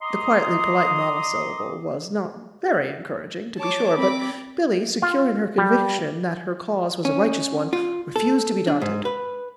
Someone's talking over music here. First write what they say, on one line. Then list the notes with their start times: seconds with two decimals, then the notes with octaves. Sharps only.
The quietly polite monosyllable was not very encouraging, to be sure; but Billy, secure in her conviction that her cause was a righteous one, refused to be daunted.
0.02 D#5 A#5 C6 D6 D#6
3.58 C#5 A5 D6
3.98 C4 B5 D6
5.02 F4
5.58 G3
7.05 C#4
7.73 F4
8.16 A4
8.67 D4
8.82 G#2
9.05 B4